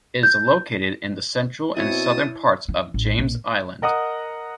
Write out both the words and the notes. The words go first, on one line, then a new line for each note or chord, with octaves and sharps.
It is located in the central and southern parts of James Island.
G6
B2 C4 E4 F#4 C#5 A5 D#6
E3
A1
A#1
A#4 D#5 F#5 A#5 D#6